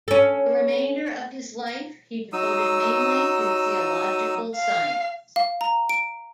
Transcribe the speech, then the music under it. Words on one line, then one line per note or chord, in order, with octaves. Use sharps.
The remainder of his life he devoted mainly to theological science.
C#4 A4
F#3 D#4 D#6 E6
F5
F5
A#5
D7